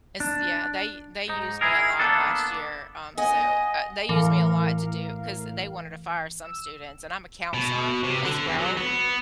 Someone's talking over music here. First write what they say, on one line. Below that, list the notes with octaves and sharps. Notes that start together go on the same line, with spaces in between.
It's Yeah, they they used me a lot last year, um, so, uh they used me a lot to do 'cause they wanted to fire some students and I'm a counselor as well.
D4
G#2 D#4
E4 G#4 A#4
A#3 B3 D4 A4
D#5 F#5 G#5
A2 E3 A#4 F5
E6
B2
C3
D3
E2
F#3
B3